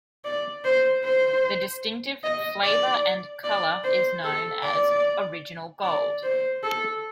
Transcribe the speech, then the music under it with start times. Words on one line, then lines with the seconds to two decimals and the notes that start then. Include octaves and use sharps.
The distinctive flavor and color is known as "Original Gold".
0.25 D5
0.65 C5
1.05 C5
2.24 D#5
2.64 D5
3.44 D5
3.84 C5
4.24 A4
4.63 D5
5.84 D5
6.23 C5
6.63 A4